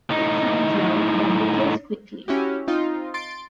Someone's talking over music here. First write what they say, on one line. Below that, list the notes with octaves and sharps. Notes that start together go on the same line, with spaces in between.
It sounds loud, but decays quickly.
A2 D#4
C#4 E4 F#4 G4
C4 D#4 F4
C6 A6 D7